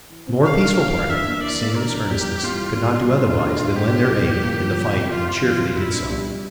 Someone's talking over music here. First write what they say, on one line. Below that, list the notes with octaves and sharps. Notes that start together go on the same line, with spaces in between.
The more peaceful party, seeing this earnestness, could not do otherwise than lend their aid in the fight and cheerfully did so.
E3
C4
D4 F5
E3
E3 F5
E3
D4 E5
A#3
E3 D5
A#3
D4 A#4
E3
G3 G4
E3
G3 F4
E3
G3
G3
A2 F4
D4
A2
D4
A2 G4
A2
G3
A2
A#3
F3
F3
C3
F3 F4
E4
F3 F4
C3
A#2 E4
D4
G3
G3